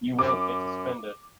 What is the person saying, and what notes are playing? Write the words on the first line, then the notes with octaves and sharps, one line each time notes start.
You won't get to spend it.
F#2 D6